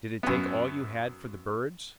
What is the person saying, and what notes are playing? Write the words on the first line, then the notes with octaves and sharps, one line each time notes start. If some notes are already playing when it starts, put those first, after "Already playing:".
"Did it take all you had for the birds?"
F#2 B3